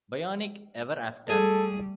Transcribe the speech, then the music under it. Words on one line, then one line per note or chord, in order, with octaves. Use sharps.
Bionic Ever After?
G3 A3 G#4 A4